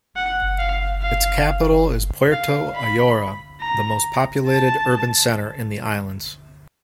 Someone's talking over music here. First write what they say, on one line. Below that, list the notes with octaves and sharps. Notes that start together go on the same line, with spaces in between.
Its capital is Puerto Ayora, the most populated urban centre in the islands.
F#5
F5
F5
F5
B5
A#5
A5